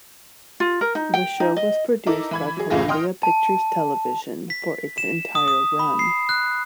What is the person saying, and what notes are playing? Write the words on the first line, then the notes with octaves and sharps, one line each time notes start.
The show was produced by Columbia Pictures Television for its entire run.
F4
A#4
D#4
G5
D#4
D#5
D#4 E4 A4 A#4 D6
E3 B5 G#6
F#3 G#4
C#2 A2 E3 F4 G#4 A#6
D#5 G5 C6 D#6 F6
A5
B6
E7
D#6
D#6
B5
C7
F#6